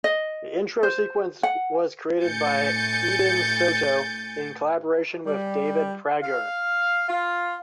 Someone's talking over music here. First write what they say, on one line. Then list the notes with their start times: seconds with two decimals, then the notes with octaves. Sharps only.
The intro sequence was created by Eden Soto in collaboration with David Prager.
0.04 D#5
0.83 C5
1.43 F#5
2.24 A2 G#5 G6 A6 C#7
5.26 G3
6.22 F5
7.08 F4